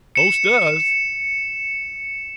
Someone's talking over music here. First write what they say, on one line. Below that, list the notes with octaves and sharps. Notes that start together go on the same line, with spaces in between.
"Most does."
C#7 E7